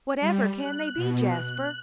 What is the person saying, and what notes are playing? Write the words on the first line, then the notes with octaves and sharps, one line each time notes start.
"Whatever can they be, Jasper?"
G3
F#6
B2
F#6